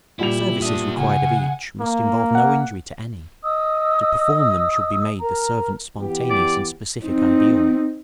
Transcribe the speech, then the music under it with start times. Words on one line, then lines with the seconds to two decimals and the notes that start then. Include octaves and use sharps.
The services required of each must involve no injury to any; to perform them should be made the servant's spontaneous and specific ideal.
0.19 A#2 G3 E4 F7
0.62 B3 D4 E5 D#6
0.96 C#3 F#5 G#5
1.80 A#3
2.35 F#5
3.43 D#5 D#6 E6
5.20 A#4 A#5
5.98 E3 B3 G4
6.30 D5
7.03 C4 D#4